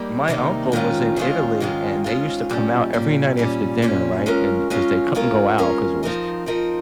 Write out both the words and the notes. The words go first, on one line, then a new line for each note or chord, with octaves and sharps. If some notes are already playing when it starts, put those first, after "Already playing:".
My uncle was in Italy, and they used to come out every night after dinner, right? And 'cause they couldn't go out, 'cause it was
Already playing: G3 A#3 D#4
C3 D#3 G3 A#3 D#4
G#2 D#3 G#3 C#4 F4
G#2 D#3 G#3 C#4 F4
G#2 D#3 G#3 C#4 F4
G#2 D#3 G#3 C#4 F4
A#2 G3 C#4
A#2 G3 C#4
A#2 G3 C#4
A#2 G3 C#4
G#3 C#4 F4 A#4 C#5
G#3 C#4 F4 A#4 C#5
G#3 C#4 F4 A#4 C#5
G#3 C#4 F4 A#4 C#5
F3 C4 D#4 A#4 D#5
F3 C4 D#4 A#4 D#5